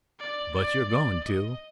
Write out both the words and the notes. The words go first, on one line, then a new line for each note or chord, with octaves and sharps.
"But you're going to?"
D5
D5
D5
D#5